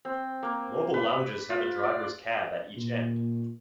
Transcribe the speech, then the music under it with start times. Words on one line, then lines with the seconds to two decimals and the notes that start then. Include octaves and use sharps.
Mobile lounges have a driver's cab at each end.
0.05 C4
0.43 A#3
0.94 B4
1.50 F4
1.83 D5
2.77 A#2